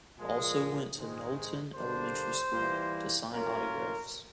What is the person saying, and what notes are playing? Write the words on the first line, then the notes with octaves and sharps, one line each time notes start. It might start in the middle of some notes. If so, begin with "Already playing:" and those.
Also went to Knowlton Elementary School to sign autographs.
A#2 F3 G#3
G#2 D#3 G#3
D3 G3 A#3 D4 C5
E3 G3 A#3
A2 F#3 A#3 C#4 F4 A#4